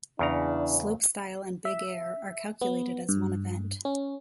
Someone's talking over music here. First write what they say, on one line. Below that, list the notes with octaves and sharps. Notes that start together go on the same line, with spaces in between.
Slopestyle and Big Air are calculated as one event.
E2 C#3 D4 E4 A#5
E5
B3
G2
C#4